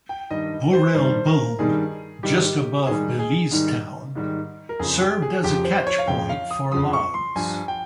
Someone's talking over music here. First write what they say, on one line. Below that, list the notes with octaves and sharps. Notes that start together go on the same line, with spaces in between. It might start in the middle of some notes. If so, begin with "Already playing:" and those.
Burrell Boom just above Belize Town served as a catch-point for logs.
G5
G2 D#3 G3 D#5
C5
G2 D#3 G3 C5
A#4
G2 D#3 G3 G#4
G#2 D#3 G3 G4
G#2 D#3 G3 G#4
G#4
G#2 D#3 G3
G#2 D#3 G3
A#4
F2 C#3 F3 G#4
G4
G#4
F2 C#3 F3 G4
C5
C#5
F5
F2 C#3 F3 G5
F5
D#6
F2 C#3 F3 D#6
C#6
C6
G2 F3 G#5
G5